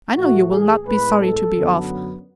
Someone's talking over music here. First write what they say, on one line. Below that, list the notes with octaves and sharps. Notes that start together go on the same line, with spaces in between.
I know you will not be sorry to be off.
A2 E3 A3 F#4
G#4
A2 G#3 B3 B4
A4
F#2 D3 F#3 B3